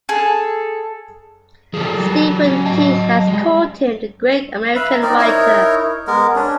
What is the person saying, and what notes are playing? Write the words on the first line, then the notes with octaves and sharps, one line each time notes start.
Stephen King has called him the great American writer.
G#4 A4
F3 G3 G#4 A4
F#3 G4
C#4
D#5 A5
G3 G#3
B4 E5 F5 B5
A#5
C4 D#4 A#4 D5
D#4 E4 A#4 C#5
G#3 B3 A#4
C#4 D4